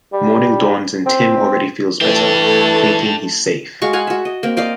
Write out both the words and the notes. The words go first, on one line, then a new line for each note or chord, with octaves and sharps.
Morning dawns and Tim already feels better, thinking he's safe.
G3
C4
E3 A3 D4 E4 G4 A5
G#3 F#4 F5 C#6
F5 F#5 G#5
F#4 E5
D#5
A#3 C4
D5 D#5 F5 G5